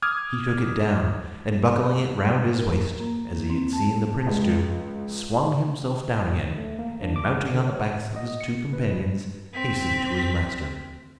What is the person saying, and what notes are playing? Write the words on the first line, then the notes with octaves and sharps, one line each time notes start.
He took it down, and buckling it round his waist, as he had seen the prince do, swung himself down again, and mounting on the backs of his two companions, hastened to his master.
D6 D#6 F6 G#6
A#4
A#3
C4
A5
C#2
A3
A#3
D4
D6
F#5
D3
C#5
F#5
D#5
C#7
B4
C4 B6